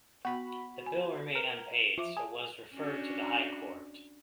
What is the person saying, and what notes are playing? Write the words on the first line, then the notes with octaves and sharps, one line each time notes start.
The bill remained unpaid so was referred to the high court.
B3 F#4 B5
G#5
A#4 B4
F3 F4 E5 D6
G#4 A5
C#4 D4 F#4